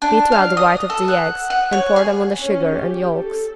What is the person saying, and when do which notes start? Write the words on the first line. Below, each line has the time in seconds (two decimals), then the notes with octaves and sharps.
Beat well the white of the eggs and pour them on the sugar and yolks.
0.02 D4
0.32 F5
0.57 D#6
0.90 A4
1.08 F#5
1.50 F#5
1.73 C#5
1.96 G#4
2.42 C#4
2.74 G4
3.13 A4